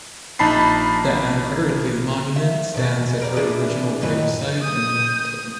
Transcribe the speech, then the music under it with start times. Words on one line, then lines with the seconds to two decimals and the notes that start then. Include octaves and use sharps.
The Anne Carter Lee Monument stands at her original gravesite in Warrenton.
0.39 A#1 D#4 A5 B5 C7
2.36 E5
2.74 E2 B2
3.21 A#4 D5
3.36 E3 D4 G#4
4.01 F#2 D#3 E3
4.62 D#6 G6